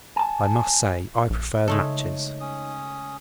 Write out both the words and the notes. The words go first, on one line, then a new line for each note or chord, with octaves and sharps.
I must say I prefer matches.
G#5 A5
A#1
C#3 G#3 A3 D#4 A4 C#5 D#5
C#4 D#6